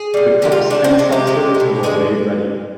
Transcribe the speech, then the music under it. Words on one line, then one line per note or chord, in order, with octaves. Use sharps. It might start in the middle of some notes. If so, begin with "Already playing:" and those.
The cups and saucers were laid ready.
Already playing: G#4
C3 G3
C3 D#3 G#3 G4
F4
D3 F3 G#3 D4
C4
C3 F3 G#3 C4
G4
C3 F3 G#3
G#3
B2
D3 F3 G#3 G#4